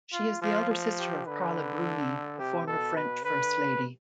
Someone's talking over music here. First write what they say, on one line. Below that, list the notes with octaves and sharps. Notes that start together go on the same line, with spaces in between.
She is the elder sister of Carla Bruni, the former French First Lady.
F4
F3 F4
F3
G4
D3 B4
A4
C3 G4
B2 A4
B4
D3 B4